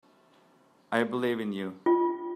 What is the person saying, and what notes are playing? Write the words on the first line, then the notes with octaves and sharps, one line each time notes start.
I believe in you.
F4